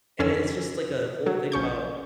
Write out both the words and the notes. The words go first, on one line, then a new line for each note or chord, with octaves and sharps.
and it's just, like, a whole thing about
F2 D3 C#4 A4 G#5 E6
F#3
A#1 C#4 C#6 G6